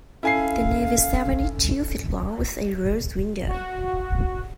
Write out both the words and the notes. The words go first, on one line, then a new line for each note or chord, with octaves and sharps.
The nave is seventy-two feet long, with a rose window.
C#4 E4 A4 F5 G#5 C7
F#4